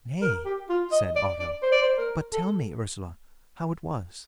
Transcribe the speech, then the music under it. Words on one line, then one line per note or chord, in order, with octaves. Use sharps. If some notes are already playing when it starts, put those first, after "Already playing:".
"Nay," said Otto, "but tell me, Ursela, how it was."
A#4
G4
F4
D#5
D5
D5
C5
D5
C5
A#4
A4